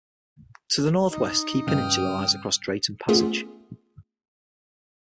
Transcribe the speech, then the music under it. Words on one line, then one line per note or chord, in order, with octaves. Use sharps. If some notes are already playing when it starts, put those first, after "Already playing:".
To the northwest Key Peninsula lies across Drayton Passage.
D#4
G2 C#3 G5 D#6 F6
A3 B3 C#4 F4 G#4